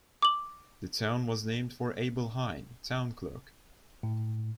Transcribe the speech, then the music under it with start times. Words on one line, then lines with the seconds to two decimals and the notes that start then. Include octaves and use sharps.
The town was named for Abel Hine, town clerk.
0.22 D6 F#7
4.03 A2